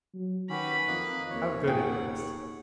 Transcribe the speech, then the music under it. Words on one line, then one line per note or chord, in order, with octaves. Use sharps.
How good it looks!
F#3
D#3 C#4 F#4 G4 B4 B5
F2 A#3 D#5 F#6
D#2 A#3 C#5
B1 G#4 F#5 G5